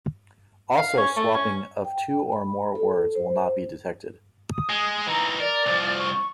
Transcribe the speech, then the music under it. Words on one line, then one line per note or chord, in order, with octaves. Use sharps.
Also swapping of two or more words will not be detected.
F5
C#4
A3
C#4
G5
B5
A4
C5
D#6
G#3
E3 D#4 A#5
A#4 D5
C2 F3
C#6